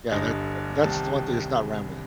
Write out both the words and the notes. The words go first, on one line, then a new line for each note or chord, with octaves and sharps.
Yeah, that that's the one thing that's not rambling.
G1 G2 D3 D#5
C2 C3 D#3 A5
A5